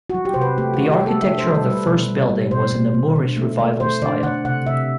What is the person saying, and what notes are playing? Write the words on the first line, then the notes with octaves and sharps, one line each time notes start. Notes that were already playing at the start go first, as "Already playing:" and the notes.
The architecture of the first building was in the Moorish Revival style.
F#3 F#4
G4
C3 C5
B4
A3 G4
F#4
A3
G4
A3
A4
D3 E5
C5
G3
A4
G3
B4
B2
G3
G3
B2 C5
B2
B2
D3
A3
A3
A3 C5
D3 D5
D3 F#5
C3 F#5
C3 E5